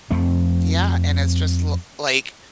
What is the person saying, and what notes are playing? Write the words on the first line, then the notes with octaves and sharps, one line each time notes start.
Yeah, and it's just l like,
F2 F3 A3 C4